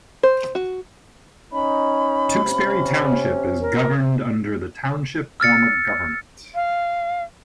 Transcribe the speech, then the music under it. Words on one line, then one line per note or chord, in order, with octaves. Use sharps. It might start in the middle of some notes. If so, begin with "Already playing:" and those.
Tewksbury Township is governed under the Township form of government.
C5
F#4
C#4 D#4 B5
C3 C#4
A#4
E6 F6 A6 C#7
F5